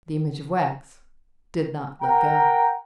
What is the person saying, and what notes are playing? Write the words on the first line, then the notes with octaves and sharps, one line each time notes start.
The image of wax did not let go.
A#4 F#5 G5 A#5